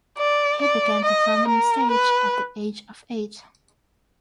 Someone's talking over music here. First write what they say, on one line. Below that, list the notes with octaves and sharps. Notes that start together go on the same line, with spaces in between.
He began performing on stage at the age of eight.
D5
D5
D#5
A#4
B4